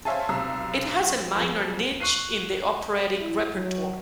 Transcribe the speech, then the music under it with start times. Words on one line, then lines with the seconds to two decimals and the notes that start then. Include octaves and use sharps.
It has a minor niche in the operatic repertoire.
0.05 C5 C#5 E5 F5 G#5 A5
0.29 B1 C3 A#5 E6
1.36 F2 G#4
2.00 C#6 F#6 C7 D#7
3.19 E4
3.54 F#3